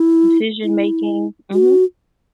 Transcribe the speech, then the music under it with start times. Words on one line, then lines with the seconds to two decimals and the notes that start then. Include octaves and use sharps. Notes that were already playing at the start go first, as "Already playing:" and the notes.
Decision making, mhm.
Already playing: E4
0.64 E4
1.53 F#4